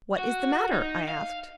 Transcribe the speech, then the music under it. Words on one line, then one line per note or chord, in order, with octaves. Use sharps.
"What is the matter?" I asked.
F#4
D#4
F5